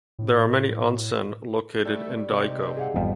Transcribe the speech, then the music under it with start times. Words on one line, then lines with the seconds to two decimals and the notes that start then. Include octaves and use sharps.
There are many onsen located in Daigo.
0.19 A2
1.85 G3 A3
2.30 C3 D#4 E5
2.77 G#4 F5 F#5
2.96 G#1 F2 G3 B3 F4